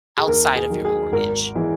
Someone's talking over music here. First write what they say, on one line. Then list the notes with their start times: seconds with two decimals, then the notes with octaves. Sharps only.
outside of your mortgage,
0.18 G#4
0.27 D#2 A#4
0.56 G#4
0.70 D#3 F#3
0.85 G#4
1.12 G#1 A#4
1.55 E3 G#3